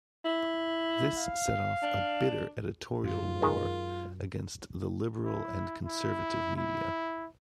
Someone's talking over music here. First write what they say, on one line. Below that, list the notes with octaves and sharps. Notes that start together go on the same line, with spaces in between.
This set off a bitter editorial war against the Liberal and Conservative media.
E4
F5
D4
F#2 F4
D#3 G#3
E4
E4
E4